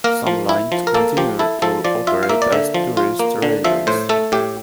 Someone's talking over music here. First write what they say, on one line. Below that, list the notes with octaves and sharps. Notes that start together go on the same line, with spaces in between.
Some lines continue to operate as tourist railways.
A#3 A#4
F3
E4
F3
A#4
A#3 A4
F3 G4
E4 A4
F3 A4
F3 D5
F4 E5
F5
A#3 E5
D5
D3 E5
F3
F4
A#3
D3
F3 E5
A2 C5
A3 A4
A2 G4